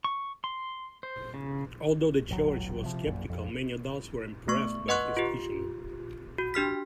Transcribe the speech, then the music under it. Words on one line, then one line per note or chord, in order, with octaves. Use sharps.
Although the Church was skeptical, many adults were impressed by his teaching.
C#6
C6
C5
C#3
D#1 A1 F#3
C3 F3
A#1 F#2 A#2
F2
A3 B3 C#6
B4 D#5 F#5 C6 C#6 F#6
F4 G4
F#4
D4 G4 F6 B6